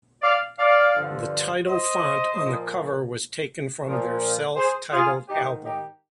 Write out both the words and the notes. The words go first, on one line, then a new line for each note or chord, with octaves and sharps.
The title font on the cover was taken from their self-titled album.
D5 F5
D5 F5
G2 D3 F3
C5 D#5
A#2 F3
A#2 F3
G#4 C5
F4 G#4
G#2 D#3 D#4 G4
D#4 G4